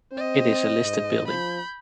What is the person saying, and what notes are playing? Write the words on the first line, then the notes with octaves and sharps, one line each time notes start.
It is a listed building.
C4 C5 D#5
G#2
F3 B5 G6